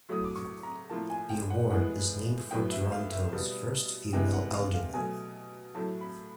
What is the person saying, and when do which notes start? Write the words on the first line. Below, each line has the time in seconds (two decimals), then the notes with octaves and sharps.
The award is named for Toronto's first female alderman.
0.09 A2 F#3 A3 D#6
0.24 D6
0.36 C#6
0.63 A#5
0.90 A2 F3 A#3 A5
1.10 G#5
1.30 G5
1.50 F#5
1.70 A2 E3 G#3 B3 F#5
2.51 A2 F#3 B3 G5
2.71 E5
2.92 F5
3.12 E5
3.32 B2 G3 B3
4.13 C3 E3 G#3 B3 G5
4.33 F#5
4.53 F5
4.74 F5
4.94 B2 F#3 A3 G#5
5.74 A2 F#3 A3 A5
6.01 B5